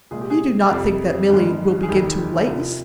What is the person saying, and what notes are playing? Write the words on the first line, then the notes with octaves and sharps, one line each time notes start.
"You do not think that Milly will begin to lace?"
C2 A#2 G#3 G#4
G4
G#4
F2 C3 G3
G1 G2 D#3 G#3
G#4
F1 D#2 D#3 G3 G4
C2 C3 F3 F4